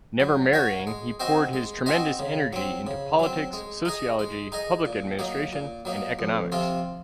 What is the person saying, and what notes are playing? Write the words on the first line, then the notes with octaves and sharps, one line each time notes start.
Never marrying, he poured his tremendous energy into politics, sociology, public administration and economics.
F#3
C#4 F#4 C#5
G#3
C4 F#4 C5 D#5
G#3
C4 F#4 C5 D#5
C#3
F#3 C4
C#3
F#3 C4
G#3
D#4 G#4 D#5
G#3
D#4 G#4 D#5
A#2
F#3 A#3 D#4
A#2
F#3 A#3 D#4
F2
C3 F3 C4 F4